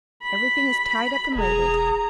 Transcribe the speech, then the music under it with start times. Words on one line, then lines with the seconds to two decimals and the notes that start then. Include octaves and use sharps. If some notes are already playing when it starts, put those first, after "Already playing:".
Everything is tied up and labelled.
0.22 B5
1.35 E1 G#4 A#5